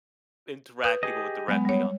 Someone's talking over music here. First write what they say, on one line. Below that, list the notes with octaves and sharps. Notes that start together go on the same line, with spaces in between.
interact people with directly on
B4 D#6 G6
G4 G#4 D#5
F#3 G#3 B3
G3 C#5